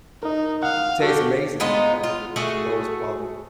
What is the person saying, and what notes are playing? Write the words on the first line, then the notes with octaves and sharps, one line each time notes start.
tastes amazing, but it's the it's the lowest quality.
D#4 A#4 D#5
F5 F#5
F#4 G4 A4
G#3 B3 D#4 F4
F4
A3 F#4 G#4